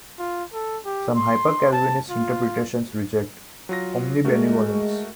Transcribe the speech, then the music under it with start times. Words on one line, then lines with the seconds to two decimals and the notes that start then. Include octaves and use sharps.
Some Hyper-Calvinist interpretations reject omnibenevolence.
0.19 F4
0.53 A4
0.85 G4
1.16 C6
1.73 A5
2.10 F4
3.69 F#3 F4 A#6
4.25 G#3 A3 F#4 A#4